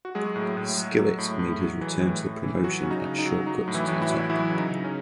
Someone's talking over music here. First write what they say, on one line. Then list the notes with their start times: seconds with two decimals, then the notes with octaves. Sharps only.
Skillet made his return to the promotion at Shortcut to the Top.
0.05 F#4
0.15 F#3 G#3 G#4
0.36 A2
0.57 A2
0.77 F#3
0.98 F#3
1.18 A2
1.39 A2
1.61 F#3
1.81 E3
2.02 A2
2.23 A2
2.43 E3
2.64 F#3 F#4
2.83 C#3 C#4
2.91 D#4
3.05 C#3
3.18 D#4
3.25 F#3
3.46 F#3 D#4
3.68 A2
3.74 E3 E4
3.88 A2
4.02 E3 E4
4.09 F#3
4.29 E3 F#3 E4
4.50 C#3
4.57 D#4
4.70 C#3
4.84 C#4